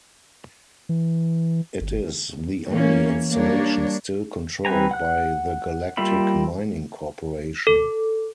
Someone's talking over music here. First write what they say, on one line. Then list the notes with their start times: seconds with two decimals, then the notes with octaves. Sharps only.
It is the only installation still controlled by the Galactic Mining corporation.
0.89 E3
1.81 G1
2.68 E3 A#3 C#4
3.31 G3 A#3 D4 C#5
4.65 G3 C4 B4 G#5 A#5
4.91 F#5 F#6
5.97 G3 A#3 F4 E5 B5
7.67 A4